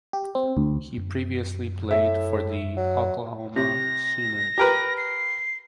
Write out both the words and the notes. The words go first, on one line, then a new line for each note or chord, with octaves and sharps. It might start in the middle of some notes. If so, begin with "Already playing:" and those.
He previously played for the Oklahoma Sooners.
G4
C4
D2
F#2
A2 E5
F#3
C3 A#6
G4 A#4 B4
C7